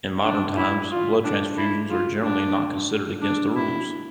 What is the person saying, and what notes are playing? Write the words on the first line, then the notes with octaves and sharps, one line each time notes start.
In modern times, blood transfusions are generally not considered against the rules.
D4
E4
F4
D4
E4
F4
D4
D4
E4